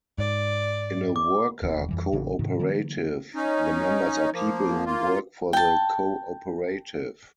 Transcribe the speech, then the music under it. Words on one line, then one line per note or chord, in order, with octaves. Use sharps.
In a worker cooperative, the members are people who work for the cooperative.
G#2 D5
D6
E1 D#2 D#3
F2 E3 G3
A1 C#3 E3 D4
G#2 C3 D#3
D3 E3 F#3 A#3
C#4 D#4
F3 A#3
A#3 F4
G5 A5